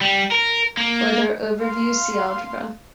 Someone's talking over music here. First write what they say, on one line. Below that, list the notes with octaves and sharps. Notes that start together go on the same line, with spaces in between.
For their overview, see Algebra.
G3
A#4
A#3
F5 C6